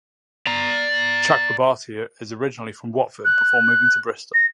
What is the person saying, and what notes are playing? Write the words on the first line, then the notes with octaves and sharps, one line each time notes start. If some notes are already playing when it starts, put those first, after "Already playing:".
Chakrabarti is originally from Watford before moving to Bristol.
D5 A#5
F#6
A#6